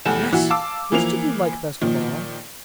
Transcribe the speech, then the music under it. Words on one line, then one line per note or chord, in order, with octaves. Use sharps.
"Yes! which did you like best of all?"
F1 E2 A4 G#5 E7
A#2 E3 E4 F#4
F5 A5 D6 E6
E3 F3 A#3 F7
A#2 D#3 F3